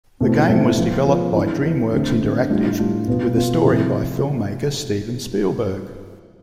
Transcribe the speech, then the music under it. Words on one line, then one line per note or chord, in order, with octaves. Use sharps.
The game was developed by DreamWorks Interactive, with a story by filmmaker Steven Spielberg.
B2 A3 C4 E4
B2 A3 C4 E4
F3 B3 F4
F3 B3 F4
E3 B3 D4
E3 B3 D4
D3 A3 C4
D3 A3 C4
A2 G3 D4 F4
A2 G3 D4 F4
B2 B3 F4
B2 B3 F4
C3 F3 C4 E4